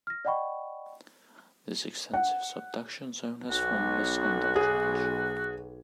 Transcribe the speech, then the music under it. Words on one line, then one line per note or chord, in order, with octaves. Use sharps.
This extensive subduction zone has formed the Sunda Trench.
F6 A#6
D5 D#5 F#5 G5 B5 C#6
F#5
B1 F#4
G#4